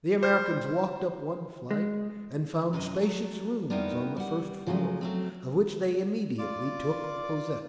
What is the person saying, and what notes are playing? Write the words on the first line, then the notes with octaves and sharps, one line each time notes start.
The Americans walked up one flight and found spacious rooms on the first floor, of which they immediately took possession.
C5
G#3
F#2 C3 A4 D#5
F#3 A3
G3 B3 C4 D#4 E4 A#4
G3 F#5
C#3 F3 F#3 G#3 A3
F#3 A3 C4
F4 D5 D6